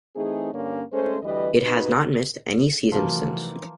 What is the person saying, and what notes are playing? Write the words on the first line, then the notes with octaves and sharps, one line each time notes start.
It has not missed any seasons since.
E3 A3 C4 D#4 G#4
G2 D3 A#3 C#4
G#3 A3 C#4 A4 C5
D2 E3 G3 B4 D#5
C3 D#4 F#4 B4
B1 C3 E3 F3 A3 A#3 E4